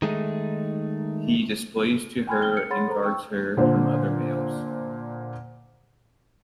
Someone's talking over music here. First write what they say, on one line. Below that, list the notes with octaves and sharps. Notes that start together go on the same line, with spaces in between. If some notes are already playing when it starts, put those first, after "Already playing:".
He displays to her and guards her from other males.
D#3 G#3 A3 C#4 D#4
G5 G#5 B5 C6 F6 G#6
G5 F6 F#6 G7
C#7
G#4 C#5 F#5 B5 C6 A6
A4 C5 A#5
G5 C#6 E6
A#2 D3 C5